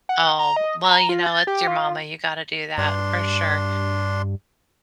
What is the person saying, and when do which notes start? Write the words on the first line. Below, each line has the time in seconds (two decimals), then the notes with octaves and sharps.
Oh, well, you know, it's your mama, you gotta do that for sure.
0.09 F#5
0.39 A#5
0.56 D#5
0.84 A#5
1.09 F4
1.27 A6
1.47 G4
1.67 F4
2.78 G2 D4 C6